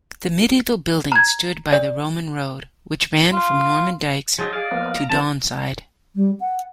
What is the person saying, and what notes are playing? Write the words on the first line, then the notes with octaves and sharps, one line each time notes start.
The medieval building stood by the Roman road which ran from Normandykes to Donside.
A#5 G#6
D5
F4
F3 F#3 D#4 G#4
D5 D#5 F5
F3 A#3 B3
A#5
E3 C4 A5
G3
F#5